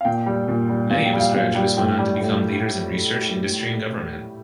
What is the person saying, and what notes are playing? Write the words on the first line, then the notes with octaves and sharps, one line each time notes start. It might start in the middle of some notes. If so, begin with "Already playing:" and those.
Many of its graduates went on to become leaders in research, industry and government.
F5
A#2 G5
G3
A#2
G3
A#2 F5
G5
G3
F5
A#2 F5
G3 G5
A2 G5
G3
A2